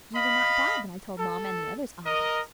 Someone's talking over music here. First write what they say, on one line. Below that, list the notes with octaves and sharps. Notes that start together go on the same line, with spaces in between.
You were not by, when I told mamma and the others all about it.
D#5 F5 B5
A4
A#4 D#5